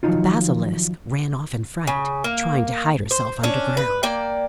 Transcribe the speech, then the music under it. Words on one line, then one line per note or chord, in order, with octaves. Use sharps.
The basilisk ran off in fright; trying to hide herself underground.
D#3 F3 F#3 D#4 F4
C#3
A#3
C5
C#4 D4
B4
A#3 D5 G5